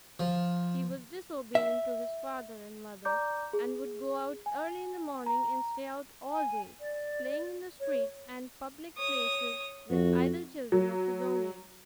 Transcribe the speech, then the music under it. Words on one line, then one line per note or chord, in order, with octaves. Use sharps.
He was disobedient to his father and mother, and would go out early in the morning and stay out all day, playing in the streets and public places with idle children of his own age.
F3
E5
D5 A#5 D6 G6
G#4
G#5
A#5
G#5
D5
C#5
C#5 D#6
F2 F#4
F#3